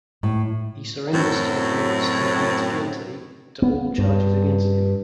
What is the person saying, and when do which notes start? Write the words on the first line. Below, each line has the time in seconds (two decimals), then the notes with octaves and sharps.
He surrenders to the police and pleads guilty to all charges against him.
0.23 A2
1.13 F#2 A2 F#3 C4
3.62 B3
3.98 G2